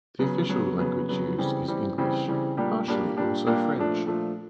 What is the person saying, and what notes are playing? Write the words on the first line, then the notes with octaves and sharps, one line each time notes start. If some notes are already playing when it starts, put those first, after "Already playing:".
The official language used is English, partially also French.
C#3 F#3 B3
C#3 F#3 B3
C#3 F#3 B3
C#3 F#3 B3
C#3 E3 G3 C4
C#3 E3 G3 C4
C#3 E3 G3 C4
C#3 E3 G3 C4
A#2 G3 A#3 D4 G4
A#2 G3 A#3 D4 G4
A#2 G3 A#3 D4 G4
A#2 G3 A#3 D4 G4
A#2 F3 A3 D4
A#2 F3 A3 D4